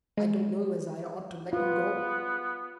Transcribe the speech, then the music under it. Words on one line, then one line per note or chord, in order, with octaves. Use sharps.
"I don't know as I ought to let you go."
G#3
B3 F4 B4